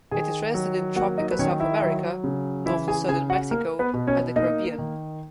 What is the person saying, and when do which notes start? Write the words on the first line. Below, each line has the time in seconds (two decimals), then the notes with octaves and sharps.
It is resident in tropical South America north to southern Mexico and the Caribbean.
0.11 D#3 G#4 G#5
0.54 F#3
0.96 A#3 F#4 F#5
1.18 D#4 D#5
1.31 B4
1.39 D#3 C#4 C#5
1.60 E4 E5
1.82 F#3
2.24 C#3
2.66 E3 E4 E5
2.88 G#4 G#5
3.08 C#3 G#4 G#5
3.30 F#4 F#5
3.51 A#3 A#4
3.79 B3 B4
3.94 B2
4.07 C#4 C#5
4.36 A#3 D#4 D#5
4.78 D#3